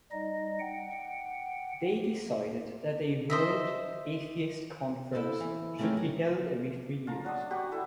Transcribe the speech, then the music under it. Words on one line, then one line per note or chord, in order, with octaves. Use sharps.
They decided that a World Atheist Conference should be held every three years.
G3 D#4 D#5
F#5 G5
C5 D#5 E5
E4 A4 B4 C5 F5
E3
C#3 A3 A#3 C4 C#4 D#4
F#3
F4 A5 A#5
F#3 D4 F#4 D#5
F#3 G4 F#5 C#6
G3 E4 A4 E5